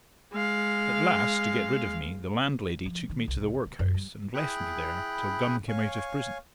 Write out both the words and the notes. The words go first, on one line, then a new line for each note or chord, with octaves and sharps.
At last, to get rid of me the landlady took me to the workhouse, and left me there till Gun came out of prison.
G#3 F5
F3
D#3
C2
C2
C#3
A#3
F#2
G3
E4 G#4 G5 B5 F#6
C#5 F5 G#5 C#6